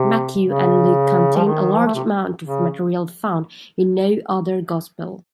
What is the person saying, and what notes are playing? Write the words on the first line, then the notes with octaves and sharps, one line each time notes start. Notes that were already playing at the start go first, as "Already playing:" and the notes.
Matthew and Luke contain a large amount of material found in no other gospel.
Already playing: C3
C#3
F3
D#3
D#3
F3
A3
C3
C#3